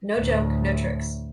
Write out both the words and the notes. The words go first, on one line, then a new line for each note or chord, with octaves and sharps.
No Joke, No Tricks.
D2 A2